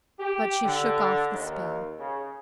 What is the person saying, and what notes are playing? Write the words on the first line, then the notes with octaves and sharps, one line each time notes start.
But she shook off the spell.
G4
D3
D#2
C#3